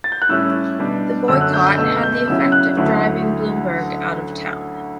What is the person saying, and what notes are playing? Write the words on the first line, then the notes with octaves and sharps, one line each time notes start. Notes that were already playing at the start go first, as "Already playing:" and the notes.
The boycott had the effect of driving Blumberg out of town.
A6
G6
F#6
A2 G3 C#4 E4 E6
B2 G3 D4
F#2 D3 F#3 C#4 E6
F#6
G6
G6
C#2 B2 A3 E6
G6
C#3 F#3 C#4 E4 E6
F#6
D2 D3 F#3 A3 E4